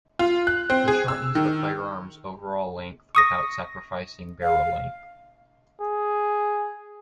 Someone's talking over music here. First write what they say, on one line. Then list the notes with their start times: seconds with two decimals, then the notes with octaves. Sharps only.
This shortens the firearm's overall length without sacrificing barrel length.
0.19 F4
0.47 F#6
0.70 C4
0.88 G#4
1.08 E6
1.35 D#3
3.15 C#6 D#6 A#6
4.43 F5
5.82 G#4